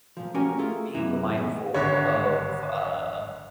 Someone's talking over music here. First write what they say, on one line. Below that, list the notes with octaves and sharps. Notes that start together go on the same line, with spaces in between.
being mindful of uh
A#2 F3
A#3 C#4 F#4 G4 A#4 G#5
A3 A#3 F4 G#4 A#4
F#2 C3 E3 G#3 E4
D#3 G#3 B3
G#1 D3 C#5